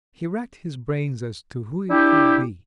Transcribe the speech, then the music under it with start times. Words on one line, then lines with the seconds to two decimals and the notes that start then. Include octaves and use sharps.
He racked his brains as to who it could be.
1.90 D4 E4 G4